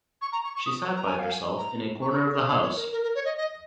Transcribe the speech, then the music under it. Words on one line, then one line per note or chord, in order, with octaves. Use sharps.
She sat by herself in a corner of the house.
C#6
A#5
C#6
C#6
D#6
C#6
A#5
G#5
F5
G#5
A#5
C#6
A#5
C#6
C#5
C#5
C#5
A#4
A#4
A#4
C#5
D#5
D#5